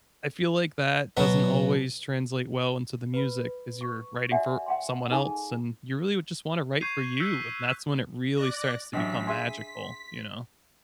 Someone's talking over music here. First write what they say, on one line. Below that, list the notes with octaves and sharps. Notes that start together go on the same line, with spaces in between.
I feel like that doesn't always translate well into the music as you're writing for someone else, and you really would just wanna write for you and that's when it really starts to become magical, you know?
B2 F#3 F#4
B4 B5
C#6
F#4 A4 D5 E5 F#5 G#5
F#5 G5 C6
D#4 G#4 A4 G#5 A5
C#6 G6 G#6 C7 D#7 F7
E6 F#6 G6 B6
D5 F#6 A#6
A1 F#3 D4 D#5 E5 G5 B6
G#4 E5 G#5 C6